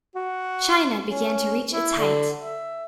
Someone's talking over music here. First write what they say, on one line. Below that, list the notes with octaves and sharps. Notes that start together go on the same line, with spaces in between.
China began to reach its height.
F#4
C#4
E4
D3
E5